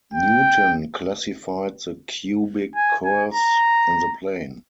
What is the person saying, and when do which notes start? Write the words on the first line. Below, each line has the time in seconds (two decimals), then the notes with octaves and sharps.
Newton classified the cubic curves in the plane.
0.14 G5
2.75 G#5
3.04 G#5
3.34 A#5